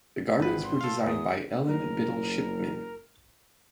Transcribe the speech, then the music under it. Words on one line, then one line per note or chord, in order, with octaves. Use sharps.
The gardens were designed by Ellen Biddle Shipman.
G#1 G#4 B4
C6
A4 F5
E2 D#6
F#1 A#4